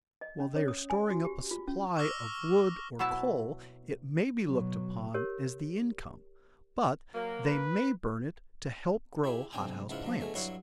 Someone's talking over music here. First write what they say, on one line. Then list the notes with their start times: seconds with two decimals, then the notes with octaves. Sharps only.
While they are storing up a supply of wood or coal it may be looked upon as the income, but they may burn it to help grow hothouse plants.
0.21 D#5
0.40 C#4
0.56 C#5
0.68 D#6
0.90 G#5
1.10 F#4
1.25 G4
1.51 F4
1.67 C#4
1.97 C#6 D6 E6 F6 A#6
2.99 B2 F#3 E4 E5 A5
4.47 B2 F#3
5.14 G4 A#4 C#5
7.14 F#3 A#3 A#4
7.46 B4
9.24 E4 G4 G#4
9.53 B1 C3 D4 G5 G#5
9.89 C#2 G#2 E4 F4 F#5
10.03 F3 F#3 D4
10.20 D2 B2 A3 G#4
10.35 G2 F#3 E4 C#5 F#5 C6